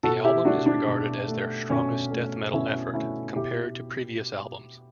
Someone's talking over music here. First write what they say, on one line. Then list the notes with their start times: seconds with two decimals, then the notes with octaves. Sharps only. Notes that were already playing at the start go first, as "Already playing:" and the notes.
The album is regarded as their strongest death metal effort, compared to previous albums.
0.03 B2 F#4 A4
0.24 E4 G4
0.45 A3 D4 F#4
0.66 D4
0.87 B2
1.28 A3
1.70 B2 C#4
2.11 A3
2.53 B2 C#4 E4
2.94 A3 C#4 E4
3.36 B2 E4 G4